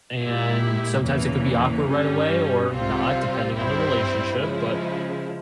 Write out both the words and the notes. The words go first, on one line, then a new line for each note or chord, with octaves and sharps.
and sometimes it could be awkward right away or not depending on the relationship, but,
A#2 G#3 E4 G4
E2 C#3 E3 A#3
G2 G3 C#4
C2 C3 G3 C4 F4
G2 G3 C4 E4
C#3 F3 G#3 E4